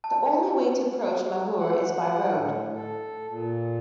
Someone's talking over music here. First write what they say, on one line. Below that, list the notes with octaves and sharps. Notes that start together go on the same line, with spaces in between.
The only way to approach Mahur is by Road.
A5
F#5
A2
A4
A#2